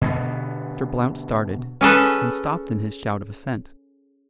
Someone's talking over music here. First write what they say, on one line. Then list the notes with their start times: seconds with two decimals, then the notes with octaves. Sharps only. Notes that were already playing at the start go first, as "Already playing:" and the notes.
Mr. Blount started, and stopped in his shout of assent.
0.01 B2 D3 B3
1.81 C#4 G#4 A4 B4